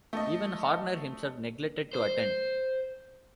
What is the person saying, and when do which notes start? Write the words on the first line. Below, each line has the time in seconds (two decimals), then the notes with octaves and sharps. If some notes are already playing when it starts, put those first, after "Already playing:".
Even Horner himself neglected to attend.
0.13 A3 D#5
1.93 C5